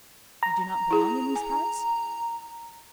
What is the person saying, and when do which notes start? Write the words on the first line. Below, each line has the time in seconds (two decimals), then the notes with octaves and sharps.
"You do not belong in these parts?"
0.43 A#5
0.91 E4 G#4
1.35 G#5